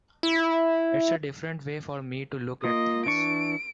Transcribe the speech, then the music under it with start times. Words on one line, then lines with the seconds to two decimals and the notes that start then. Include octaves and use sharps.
It's a different way for me to look at things.
0.23 E4
2.64 A#3 F4 D#5 D#6
3.06 E3 D4 C#6 D7